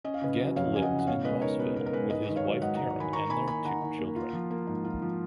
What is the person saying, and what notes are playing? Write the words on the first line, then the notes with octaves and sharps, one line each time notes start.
Gant lives in Rossville with his wife Karen and their two children.
C#4 D#5
F5
C#3 B4 D#5
F#3
F2 C#5 F5
C#4 G#5
D#5 F#5
C#3
F#5
B2 C#5 F5
G#3 B4 D#5
D#4 A#4 C#5
B2 B4
B2 A#4
A#4
G#3 B4
G#2 B4 D#5
D#3
C#5 F5
F#3
G#2 D#5 F#5
G#2 F#5 A#5
D#3 G#5 B5
D#3 A#5 C#6
A#3 G#5 B5
D#4 G#5 B5
D#3 F#5 A#5
D#3
A#3
F4
F3
A#3
G#2
F4
F3